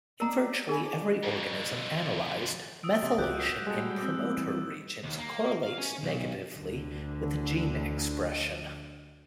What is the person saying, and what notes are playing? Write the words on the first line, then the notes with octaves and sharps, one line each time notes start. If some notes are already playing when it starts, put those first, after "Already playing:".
In virtually every organism analyzed, methylation in promoter regions correlates negatively with gene expression.
D4 D#4 A#4 D5 A#5
G#4 B4 G#5 E6
D4 D5 G#5
F2 D3
D#6 E6 D7
C3
C#2 F#4 G4 F#6 G6
G3 G#3 A4 G5
C4 E6
E3 G3
D#2
A#3
F5
C#4
B1
D2 D3